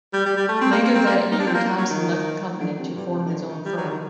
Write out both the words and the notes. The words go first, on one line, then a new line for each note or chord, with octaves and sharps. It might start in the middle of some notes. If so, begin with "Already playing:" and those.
Later that year Thompson left the company to form his own firm.
G3
G3
G3
A3
C4
A#3
A#3
C4
A#3
D#4
D4
C4
A#3
F#3
D#3
D3
C3
G2
C3
C3
D#3
D3
D#3
G3
F#3
D3
D#3